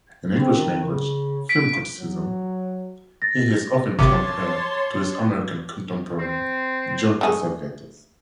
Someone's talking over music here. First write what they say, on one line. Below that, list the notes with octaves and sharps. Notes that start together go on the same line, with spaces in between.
In English-language film criticism, he is often compared to his American contemporary John Cassavetes.
C4
D#3
C#3
B6 D7
F#3
A6 A#6
G#1 C3 C#5 A5 C6 D6
C4
A3 G#4